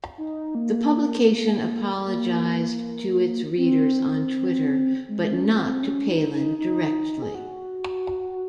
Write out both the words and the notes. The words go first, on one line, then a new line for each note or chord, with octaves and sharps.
The publication apologized to its readers on Twitter but not to Palin directly.
D#4
A#3
A#3
C4
G#3
C#4
A#3
C4
C#4
D#4
D#4
D#4
G#4
F#4